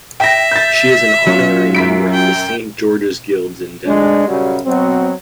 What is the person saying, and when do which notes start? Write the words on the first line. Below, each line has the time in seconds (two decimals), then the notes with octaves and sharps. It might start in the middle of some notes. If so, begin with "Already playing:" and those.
She is an honorary member of the Saint George's Guilds in Denmark.
0.20 E5 G5 A#6
0.52 G6 A6
1.27 F#3 C#4 F4
1.75 F#2 B6 D7
2.14 G5
3.86 D2 G#3 D4
4.28 F#2 C#3 F#3 G3
4.65 B2 F#3 C4